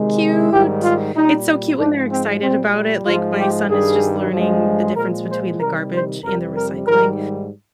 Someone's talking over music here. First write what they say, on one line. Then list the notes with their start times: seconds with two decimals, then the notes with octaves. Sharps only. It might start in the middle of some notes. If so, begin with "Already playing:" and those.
Cute, it's so cute when they're excited about it, like, my son is just learning the difference between the garbage and the recycling,
Already playing: C3 D#3 G#3
0.50 G#2 D#3 G3 G4
0.82 F4
1.14 A#2 G3 D#4
1.77 G#2 F3 G#3 D4
2.10 C4
2.41 A#2 G3 C4
3.05 G#2 F3 G#3 F4
3.37 G4
3.68 G2 D#3 G3 G#4
4.32 G2 F3 G#3
4.95 A#2 F3 G#3 A#4
5.28 C5
5.59 C3 D#3 G3 A#4
5.92 C5
6.23 F2 C3 G3 A#4
6.55 A#4
6.86 G#2 D#3 G3 A#4